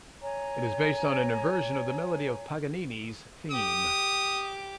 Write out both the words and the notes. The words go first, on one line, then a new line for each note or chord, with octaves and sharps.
It is based on an inversion of the melody of Paganini's theme.
C#5 G#5 A#5
G4 D6 D#6